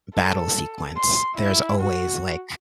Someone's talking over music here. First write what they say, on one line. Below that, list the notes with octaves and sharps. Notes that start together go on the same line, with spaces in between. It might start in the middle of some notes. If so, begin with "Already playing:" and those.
battle sequence, there's always, like,
A4
C6
E4
F#4